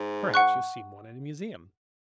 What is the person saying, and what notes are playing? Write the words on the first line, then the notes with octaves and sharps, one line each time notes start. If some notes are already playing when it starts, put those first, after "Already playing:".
Perhaps you have seen one in a museum.
Already playing: G#2
F#5 C#6 F#6